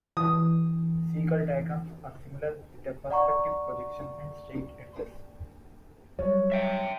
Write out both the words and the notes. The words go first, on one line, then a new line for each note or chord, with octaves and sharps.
Schlegel diagrams are similar, with a perspective projection and straight edges.
E3 D#6
D5 F#5 A#5 C#6
F#3 G3 C#5
E5 G5